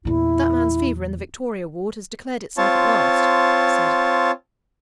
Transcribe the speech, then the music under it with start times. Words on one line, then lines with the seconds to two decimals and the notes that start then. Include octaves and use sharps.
"That man's fever in the Victoria Ward has declared itself at last," he said.
0.05 E2 A#2 E4
2.57 C4 F4 C#5 A5